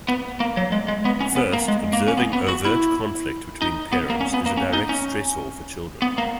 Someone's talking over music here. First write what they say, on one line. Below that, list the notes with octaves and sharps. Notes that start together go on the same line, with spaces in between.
First, observing overt conflict between parents is a direct stressor for children.
B3
A#3
F#3
G#3
G#3
B3
C#4
B3
A#3
G#3
A#3
C#4
B3
B3
F#4
E4
D#4
B3
A#3
C#4
B3
A#3
C#4
D#4
C#4
B3
A#3